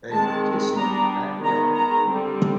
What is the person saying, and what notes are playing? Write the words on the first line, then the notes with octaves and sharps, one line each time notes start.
They were kissing in the backyard.
D#3 G#3 C4 A5
G3 B3 D4 A#5
D#3 G#3 B3 A#5
A#5
D3 G3 C4